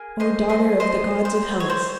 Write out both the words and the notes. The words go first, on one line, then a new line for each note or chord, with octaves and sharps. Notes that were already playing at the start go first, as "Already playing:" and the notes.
Oh, daughter of the gods of Hellas!
Already playing: A#3 G#4
C5 D#5
C5 D#5
C5 D#5
C5
C#5
C5